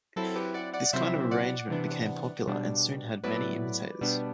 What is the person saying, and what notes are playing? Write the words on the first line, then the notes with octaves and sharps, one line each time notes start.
This kind of arrangement became popular and soon had many imitators.
F#3 C4 E4 A4
G4 B4
D5 F#5
D5 F#5
C3 F#3 C4 E4 C5 E5
D5 F#5
C3 E3 B3 D4
B2 G3 D4
A2 F#3 B3 E4 B4 D5
B2 G3 B3 D4